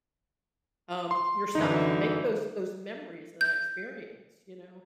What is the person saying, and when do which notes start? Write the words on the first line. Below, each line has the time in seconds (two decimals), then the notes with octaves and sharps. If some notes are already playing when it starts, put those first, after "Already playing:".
um, yourself. Make those those memories and that experience, you know?
1.11 C6
1.55 F#2 D3 E3 D#4
3.41 G6